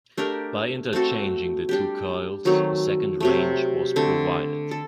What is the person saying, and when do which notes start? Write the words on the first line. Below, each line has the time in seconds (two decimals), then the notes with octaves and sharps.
By interchanging the two coils a second range was provided.
0.17 A3 D4 G4 A#4
0.93 A3 C4 F#4 A4
1.69 G3 D4 G4
2.45 D#3 F#3 A3 C4
3.20 C3 F#3 A3
3.96 D3 A3 C4
4.71 A4